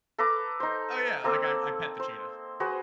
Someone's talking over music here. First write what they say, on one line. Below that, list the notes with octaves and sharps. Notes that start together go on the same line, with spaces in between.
Oh yeah, like I I pet the cheetah.
A4 B4 A#5 D6
D#4 C5
A#3 C4 A4
C5
F#4 G#4 B4 C5